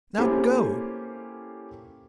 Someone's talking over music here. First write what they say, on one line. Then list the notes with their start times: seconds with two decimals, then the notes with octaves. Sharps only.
Now go!
0.18 A#3 C#4 E4 G4 A4 C5